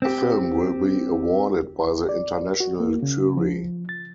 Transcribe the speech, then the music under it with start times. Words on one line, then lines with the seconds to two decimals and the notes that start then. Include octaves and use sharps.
A film will be awarded by the international jury.
0.02 C4 G4
2.09 D5
2.60 F#4
2.80 A#3
3.03 C#3
3.37 F3
3.89 A6